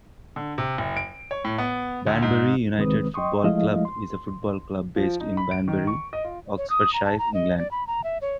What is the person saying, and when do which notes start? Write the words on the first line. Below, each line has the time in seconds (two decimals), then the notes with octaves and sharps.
Banbury United Football Club is a football club based in Banbury, Oxfordshire, England.
0.36 D3
0.58 C3
0.78 F#1
0.97 D7
1.31 C#5
1.45 A2
1.58 B3
2.07 D2
2.22 G#2
2.78 C2 D#3 G#3 C4 B4 D#6
3.14 D#5 G5 C6 C#6 D#6
3.44 F3 G#3 A3 E4 D#5 F5
3.85 C6
4.96 F3
5.20 D#4
5.37 B5
5.51 D7
5.68 D#3
5.87 C#6
6.13 D#5
6.24 F4
6.58 C#5
6.70 D#6
6.94 A#5
7.05 A5
7.19 A#5
7.34 D#5
7.58 D5
7.71 B5
7.87 A#5
8.04 E5
8.22 C#5